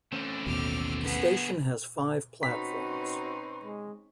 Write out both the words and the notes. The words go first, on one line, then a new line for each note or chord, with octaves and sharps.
The station has five platforms.
D3 E3 A3 C4 C#4
A1 D#2 B2 D6 F6
B3 G#4
C4 C#4 D#4 F#4 B4 B5 C6 B6
G#3